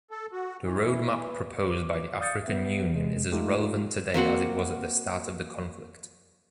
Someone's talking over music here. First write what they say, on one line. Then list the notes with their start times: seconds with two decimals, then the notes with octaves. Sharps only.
The roadmap proposed by the African Union is as relevant today as it was at the start of the conflict.
0.11 A4
0.33 F#4
0.63 E3
1.71 D6
2.20 D5 F5 D#6 G6 A6 C#7
2.44 B3 E5
2.95 C3 G#3
3.32 G#3 A3 D#4 F4 G4 A4
4.14 A#3 C4 F#4 F#5